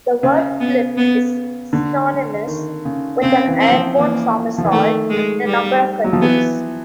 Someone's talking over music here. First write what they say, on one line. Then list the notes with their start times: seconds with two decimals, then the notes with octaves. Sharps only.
The word "flip" is synonymous with an airborne somersault in a number of countries.
0.23 C#3
0.60 B3
0.97 B3
1.73 D3
2.47 D#3
2.85 C#3
3.22 C#3 C4
3.47 E3
3.60 C4
3.72 F3
3.97 E3 A#3
4.58 F3
4.65 E3
4.72 D#3 A3
5.10 G#3
5.47 G3
6.04 F#3
6.13 F3
6.22 E3 B3